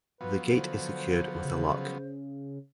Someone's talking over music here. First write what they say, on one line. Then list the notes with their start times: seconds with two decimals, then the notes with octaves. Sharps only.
The gate is secured with a lock.
0.21 F3 F#3 B3 B4
0.47 D3 C5
1.45 C#3